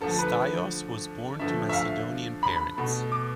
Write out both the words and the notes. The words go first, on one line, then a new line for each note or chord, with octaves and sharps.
Staios was born to Macedonian parents.
D3 F3 A3 A4
B4
D3 F3 A3 E5
E5
F5
B5
B2 A3
D6